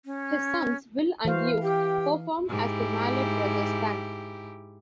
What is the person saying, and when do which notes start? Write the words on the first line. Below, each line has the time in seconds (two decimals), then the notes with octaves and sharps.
His sons, Will and Luke, perform as The Mallett Brothers Band.
0.05 C#4
1.25 E3 F#4 C5 F5
1.62 G4 G5
2.49 G#2 E4 G4